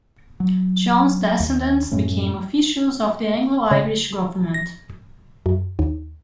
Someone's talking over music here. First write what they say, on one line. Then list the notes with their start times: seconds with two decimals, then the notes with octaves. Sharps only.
John's descendants became officials of the Anglo-Irish government.
0.40 F#3
1.40 D#2
1.91 F#2 A2 A3 C#4
3.71 C#3
4.54 A#6
5.46 F#2
5.79 D#2